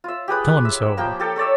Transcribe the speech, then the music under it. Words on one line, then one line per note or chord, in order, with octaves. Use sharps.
Tell him so.
F4 E5
G4 G#4 B4 D#6
E5
F3 A#3 G5
G4 A4 A#4
A4 C#5 D5 E5